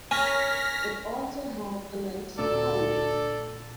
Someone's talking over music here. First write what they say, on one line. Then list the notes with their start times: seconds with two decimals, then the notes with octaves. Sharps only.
It also has a night safari.
0.11 C#4 A#4 C#5 G#5 F6 A#6 B6
2.38 D2 A#2 A4 D5 E6 D7